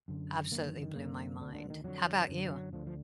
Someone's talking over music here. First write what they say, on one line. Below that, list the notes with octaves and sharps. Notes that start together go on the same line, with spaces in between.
absolutely blew my mind, how about you?
F#2 D3
F#2 D3 A#3
D#3
F3
D#3
F#2 D3 A#3
D2 D3
D3
D#3
F2 D3 F#3
F#2 D3
F3
F#3
D2 D3 F3
F3